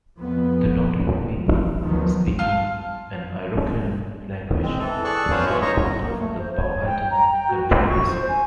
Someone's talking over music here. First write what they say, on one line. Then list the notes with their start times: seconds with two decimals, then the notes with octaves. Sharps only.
The Nottoway people, speaking an Iroquoian language, were later part of the Powhatan Confederacy.
0.18 F2 B3
1.16 F3
1.80 D2 G2 D#3 F3 F#3 B3
2.39 F4 A5 F6
4.63 G#3 C4
4.80 E3 A4
5.04 G#4 D5 A5 C#6 E6 F#6
5.31 G3 B3 C#4 C5 C#5 F5
5.46 G2 B2 E3 G#3 C#5 E5
5.62 C5 C#5 D#5 A#5 C#6
6.02 A#3
6.19 A3
6.38 C5
6.56 C#5
6.86 G5
7.11 A#5
7.31 G5
7.49 F#4
7.67 F4
7.88 C#6
8.08 C5
8.28 G#5